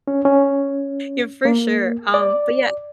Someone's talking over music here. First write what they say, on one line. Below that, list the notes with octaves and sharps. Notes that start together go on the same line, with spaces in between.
Yeah, for sure, um, but, yeah,
C#4
C#4
A#3
D5